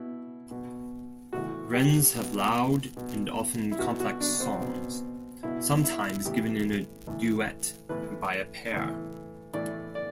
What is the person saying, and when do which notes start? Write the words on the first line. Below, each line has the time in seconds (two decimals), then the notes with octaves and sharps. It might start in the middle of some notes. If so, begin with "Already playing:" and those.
Wrens have loud and often complex songs, sometimes given in duet by a pair.
Already playing: B2 E4
0.51 B2
1.33 A2 E3 F#4
1.74 G4
2.15 B2
2.97 B2
3.71 E4
3.79 B2 F#4
4.00 F#4
4.21 D4
4.40 C4
4.62 B2
5.43 B2 E4
5.84 E4
6.25 A2 E3 G4
7.07 A2 E3
7.89 A2 E3 B4
8.72 A2 E3
9.54 A2 E3 D5
9.95 D5